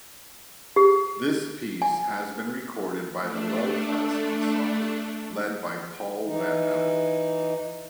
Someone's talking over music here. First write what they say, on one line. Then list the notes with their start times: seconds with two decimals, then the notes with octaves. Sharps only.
This piece has been recorded by the Huelgas Ensemble, led by Paul Van Nevel.
0.76 G4
1.82 G#5
3.20 A3 D4
6.26 E3 D#4